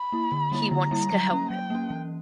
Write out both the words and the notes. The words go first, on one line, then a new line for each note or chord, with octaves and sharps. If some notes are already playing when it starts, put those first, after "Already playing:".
He wants to help him.
Already playing: B5
A#3 E4
D3
G3 A#3 E4
D3 A#5
G3 A#3 E4
F#3
A#3 C#4
F#3 G5
A#3 C#4
E3